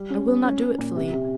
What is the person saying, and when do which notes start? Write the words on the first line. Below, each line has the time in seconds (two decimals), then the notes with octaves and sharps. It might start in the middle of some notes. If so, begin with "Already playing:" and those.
"I will not do it, Philip."
Already playing: G3
0.10 C#4
0.27 C#4
0.44 C#4
0.61 C#4
0.78 A#2
0.96 C3
1.13 C3